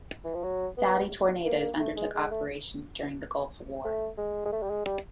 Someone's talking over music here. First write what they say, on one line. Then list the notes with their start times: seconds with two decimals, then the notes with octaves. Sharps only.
Saudi Tornados undertook operations during the Gulf War.
0.25 E3
0.35 F3
0.43 F#3
0.77 B3
1.46 A#3
1.80 A3
1.97 G#3
2.14 G#3
2.31 A3
3.84 A3
4.17 G#3
4.45 G#3
4.52 A3
4.63 G3
4.70 G#3
4.86 G3